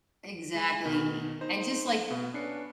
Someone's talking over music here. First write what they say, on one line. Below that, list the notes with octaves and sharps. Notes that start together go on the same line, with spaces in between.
Exactly, and just, like
D7
G#3
B2 D#3
D#4 C5
B2 B3
C#4 D4 B4 C7 C#7